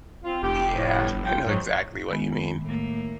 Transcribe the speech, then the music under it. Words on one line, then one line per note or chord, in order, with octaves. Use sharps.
Yeah, I know exactly what you mean.
C4 F4
F1 G4
A2
G1
F4 G5
G#2 F3 F#3
D#3 G#3 B3
A2 A#3